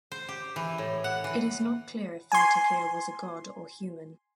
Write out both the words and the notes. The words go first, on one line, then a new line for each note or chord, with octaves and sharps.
It is not clear if Vaitakere was a god or human.
C5
G4
E3
A2
F#5
E3
G#5 C6